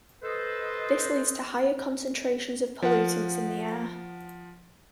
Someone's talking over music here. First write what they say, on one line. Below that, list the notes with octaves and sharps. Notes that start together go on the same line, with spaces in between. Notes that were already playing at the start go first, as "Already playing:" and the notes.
This leads to higher concentrations of pollutants in the air.
A4 B4 C5 D#5
F3 F#5